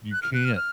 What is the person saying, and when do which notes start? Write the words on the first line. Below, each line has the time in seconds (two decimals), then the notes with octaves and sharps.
you can't
0.12 F#6
0.22 F6
0.34 F#6
0.45 F6
0.56 F6